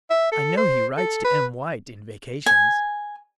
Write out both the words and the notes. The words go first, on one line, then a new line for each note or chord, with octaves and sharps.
I know he writes to Em White in vacations.
E5
A4
C5
A4
B4
G#5